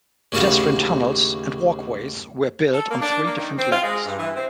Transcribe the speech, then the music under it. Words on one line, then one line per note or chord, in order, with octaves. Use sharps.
Pedestrian tunnels and walkways were built on three different levels.
D#2 A2 C#3 F#4 F5
A4
A#3
D4
A#3
D#3
C4
F4
G#3
G2
E3
C4